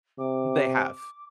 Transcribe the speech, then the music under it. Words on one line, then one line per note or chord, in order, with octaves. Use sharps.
They have.
C3 D6